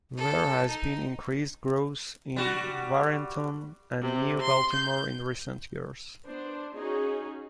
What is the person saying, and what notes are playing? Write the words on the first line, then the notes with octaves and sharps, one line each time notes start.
There has been increased growth in Warrenton and New Baltimore in recent years.
A4
D#4
G3 F#4
C3
C6
G6
B3 D4 C5
C#4 D#4 F#4 G#4